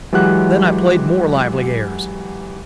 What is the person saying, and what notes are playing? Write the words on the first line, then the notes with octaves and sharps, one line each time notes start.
Then I played more lively airs.
E3 F#3 G#3 G4 F#5 F#6